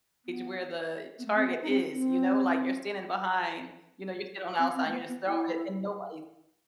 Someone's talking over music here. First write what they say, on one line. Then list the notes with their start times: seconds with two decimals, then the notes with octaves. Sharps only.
where the target is, you know? Like you're standing behind, you know, you're standing on the outside and you're just throwing it and nobody's
0.25 B3
1.18 B3
1.25 A3
1.36 C4
1.47 B3
1.62 D#4
1.69 C4
1.91 C4
4.58 C4
4.75 C4
4.85 A3
4.92 B3
5.08 B3
5.25 E4